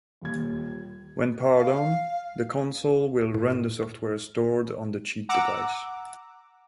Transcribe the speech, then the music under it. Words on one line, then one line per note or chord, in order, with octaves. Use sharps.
When powered on, the console will run the software stored on the cheat device.
D#1 D#2 G#6
F5
A2
F#5 A#5 D6 E6